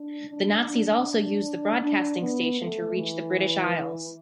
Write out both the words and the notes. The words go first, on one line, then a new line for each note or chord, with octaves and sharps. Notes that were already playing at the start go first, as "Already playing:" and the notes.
The Nazis also used the broadcasting station to reach the British Isles.
Already playing: D4
D4
D4
D4
B3
A3
E3